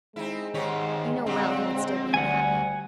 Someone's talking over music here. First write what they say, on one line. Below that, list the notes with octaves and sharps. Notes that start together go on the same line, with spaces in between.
You know well he would still be unhappy.
G#3 C4 D#4 E4
G#2 D#3 G4 C5 C#5
F#2 A#2 D3 C4
D2 G3 F#5 G#5